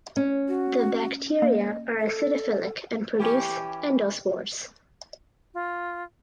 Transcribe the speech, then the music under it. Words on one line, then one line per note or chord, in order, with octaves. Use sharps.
The bacteria are acidophilic and produce endospores.
C#4
F#4
A#3 D#5
A4
E3 C#4 G4
F4